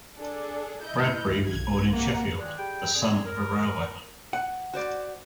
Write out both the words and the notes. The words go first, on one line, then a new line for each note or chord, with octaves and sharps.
Bradbury was born in Sheffield, the son of a railwayman.
D4 G#4 A4
E4 D#5 G6
B1 G#6
C3 A#3 F#5 A#5
A#2 D#3 F#3 G#3 D4
G3 G4 G#4 G5
D3 C4 G#4
A#4
F#5
F#4 C5 D5